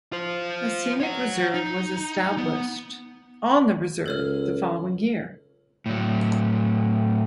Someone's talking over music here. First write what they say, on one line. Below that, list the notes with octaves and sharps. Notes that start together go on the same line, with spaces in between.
A scenic reserve was established on the reserve the following year.
F4 C5
C#5 F#5
D#4
B3
C#2 A4 C#5 F6
A2 F#3